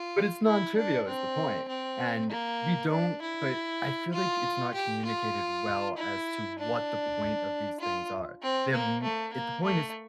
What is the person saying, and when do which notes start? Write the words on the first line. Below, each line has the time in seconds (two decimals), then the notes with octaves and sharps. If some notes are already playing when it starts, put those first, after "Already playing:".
but it's nontrivial, is the point, and we don't but, I feel like it's not communicated well as to what the point of these things are. Their m it The point is
Already playing: F4
0.46 E4
0.76 D4
1.08 C4
1.68 C4
2.30 A#3
2.91 D4
3.22 E4
4.14 F4
4.74 G4
5.05 F4
5.97 E4
6.59 D4
7.80 F4
8.43 C4
8.72 A#3
9.03 A3
9.33 A#3
9.64 A3